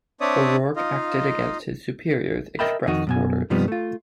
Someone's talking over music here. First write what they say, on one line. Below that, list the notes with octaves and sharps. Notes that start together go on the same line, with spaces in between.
O'Rourke acted against his superiors' express orders.
C4 D4 C#5 D5 E5 D#6
D#4 F4 D#5 F5
A#4 D#5 E5 G5 A5 B5
F2 D#3 D#4 F#4
F#2 B2 G#5
G2 C3 F3 G3 B3 D#4
A3 F4